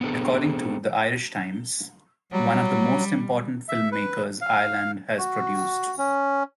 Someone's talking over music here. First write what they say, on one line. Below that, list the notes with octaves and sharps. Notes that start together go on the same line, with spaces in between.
According to "The Irish Times", "one of the most important film-makers Ireland has produced".
B3 C4 D4 G#4 A4
F#3 G3
E5
B4
F5
F#4
C#4